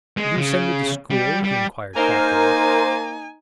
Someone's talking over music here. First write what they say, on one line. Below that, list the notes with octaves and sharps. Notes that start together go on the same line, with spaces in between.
"Would you send me to school?" he inquired craftily.
G#3
C#3
G3
G3
A#3 D#4 A#4 C5 G#5